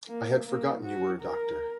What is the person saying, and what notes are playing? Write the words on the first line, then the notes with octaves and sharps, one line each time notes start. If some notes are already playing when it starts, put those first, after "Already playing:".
I had forgotten you were a doctor.
A#3
A#3
F#4
A#4